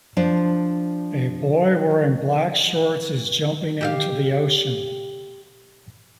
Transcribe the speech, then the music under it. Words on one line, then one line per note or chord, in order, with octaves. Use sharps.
A boy wearing black shorts is jumping into the ocean.
F3 D4 C5
G4 E5 F5